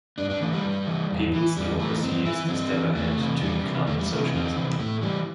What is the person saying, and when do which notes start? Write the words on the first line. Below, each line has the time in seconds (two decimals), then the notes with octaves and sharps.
Peoples' Democracy is the step ahead to incline Socialism.
0.18 G2 D4
0.30 D4
0.41 E3 A3
0.53 G3
0.64 G2
0.87 E3
1.11 E2
1.34 E3
1.56 E2 G3
1.79 E3 A3
2.03 G2 C4
2.25 E3 E4
2.48 G2 C4
2.72 E3
2.95 E2 A3
3.18 C3 E3
3.40 E2 G3
3.64 C3 E3
3.87 E2 A3
3.98 G3
4.10 C3 E3 A3
4.33 E2 C4
4.56 C3 E3
4.79 A2 A3
5.01 E3 G3